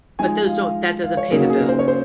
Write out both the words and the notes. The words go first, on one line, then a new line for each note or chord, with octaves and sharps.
but those don't that doesn't pay the bills.
F3 G#3 D#4 G#5
F5
F5
C#5
C#3 F#3 A#3 D#4 G#4
F#4
G#4
A#4
C5
C#5
C5